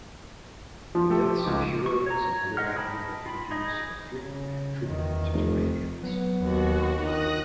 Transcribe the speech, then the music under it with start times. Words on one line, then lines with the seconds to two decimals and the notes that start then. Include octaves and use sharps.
The deaths of heroes and other admirable figures are frequently attributed to Turanians.
0.95 F3
1.10 A3 G4 A4
1.44 C#2 D#4 D6
1.86 C#6
2.06 C#5 A#5
2.57 G#3 D#5 E5 F#5 F6
2.76 D#5 G5 A5 B5 D#6
3.26 F4 B5
3.51 D#4 G#4 D#5 D#6
4.19 C#3
4.85 E2 D#3
5.33 F1
6.03 F#3 B3 F#5
6.42 D#2 F#4
7.00 D3 D#3 F4 D#6 F#6 A#6